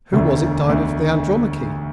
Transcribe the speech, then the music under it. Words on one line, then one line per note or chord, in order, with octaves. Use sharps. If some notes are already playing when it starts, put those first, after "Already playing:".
Who was it died of "The Andromache"?
E1 D2 D3 A3
E1 D2 D3 A3